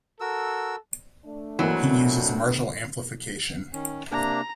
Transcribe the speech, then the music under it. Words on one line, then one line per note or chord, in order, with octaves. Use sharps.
He uses Marshall Amplification.
F#4 A4 A#4 E6
A3 D4
B2 D#3 E3 F#3 A#3 C4
D#3 C#4
C3 A#3 D4 A#5